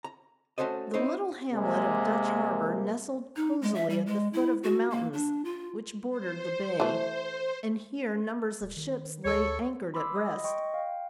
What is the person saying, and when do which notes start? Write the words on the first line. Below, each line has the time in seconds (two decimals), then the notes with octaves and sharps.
The little hamlet of Dutch Harbor nestled cosily at the foot of the mountains which bordered the bay, and here numbers of ships lay anchored at rest.
0.04 A#5
0.58 A3 C#4 F#4 A4 C5 D#5
0.94 C4 D#4 E4 C5 C#5
1.54 C3 G#3 A#3
3.36 D#4
3.62 G#3
3.75 E5
3.90 G3
4.06 G#3
4.33 E4
4.63 F#4
4.90 A#3
5.13 D4
5.45 F4
6.10 C5
6.80 E3 A3
8.61 D1
8.77 D#3
9.25 D2 A4 C#5
9.94 B5 C6 D6 E6
10.16 D#5 B5 D#6
10.44 D#5 G5 C6 C#6
10.74 F5 G5